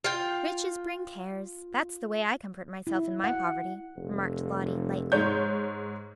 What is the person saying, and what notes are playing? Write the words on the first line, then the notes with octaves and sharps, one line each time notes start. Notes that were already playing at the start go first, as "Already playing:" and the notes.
"Riches bring cares; that's the way I comfort myself in my poverty," remarked Lottie, lightly.
F4 G5
E4
F#5
F1
G#2 C#5 G6